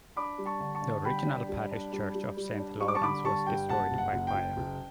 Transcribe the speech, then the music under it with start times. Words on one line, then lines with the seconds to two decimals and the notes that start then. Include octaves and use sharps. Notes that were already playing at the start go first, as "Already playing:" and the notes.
The original parish church of Saint Lawrence was destroyed by fire.
0.16 D4 B5 D6
0.38 G3
0.45 A5 C#6
0.60 D3
0.75 A5 C#6
0.82 D3
1.05 G3 G5 B5
1.26 D4
1.49 G3
1.71 D4
1.93 G3
2.15 G3
2.37 G3
2.59 D4
2.80 G3 C#6
2.88 D6
2.95 A5 C#6
3.03 D3 B5 D6
3.24 G3 A5 C#6
3.46 G2 G5
3.69 F#1 F#5 A5
3.91 F#1
3.98 F#5
4.13 F#1
4.27 G5
4.34 F#1
4.57 F#1